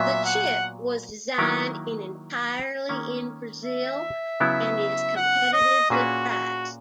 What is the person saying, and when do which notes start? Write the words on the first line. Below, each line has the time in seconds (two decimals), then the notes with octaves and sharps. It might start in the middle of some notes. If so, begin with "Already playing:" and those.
The chip was designed in entirely in Brazil and is competitively priced.
Already playing: A#2 F#3 B3 E5
0.25 F#5
1.38 D#3 F#3 A#3 E4 A#4
2.89 D#3 A#3 C#4
3.65 E5
4.40 C#3 F#3 B3 E4
5.16 F#5
5.53 D#5
5.90 A#2 A#3 C#4 F#4 G#4 B4
6.29 F#4